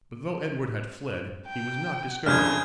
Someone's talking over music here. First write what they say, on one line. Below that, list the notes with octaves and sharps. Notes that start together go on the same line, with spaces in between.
But though Edward had fled, he was not discouraged.
G5
F#1 F2 D4 G#4 F6 G6 G#6